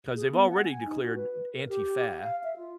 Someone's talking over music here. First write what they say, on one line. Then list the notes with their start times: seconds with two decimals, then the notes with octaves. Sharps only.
'Cause they've already declared Antifa,
0.16 G#4
0.32 B3
0.50 F#5
0.65 G#5
0.86 D#4
1.00 F#4
1.15 B4
1.56 A#4
1.69 G4
2.22 F5
2.44 E5
2.56 F4